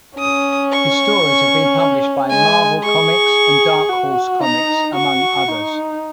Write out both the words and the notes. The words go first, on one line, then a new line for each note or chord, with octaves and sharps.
His stories have been published by Marvel Comics and Dark Horse Comics, among others.
C#4 D#6
C#6
C#4
G#3 G#5
G#4 C#6
F#4
D#4 A#5
F#4 C#6
D#4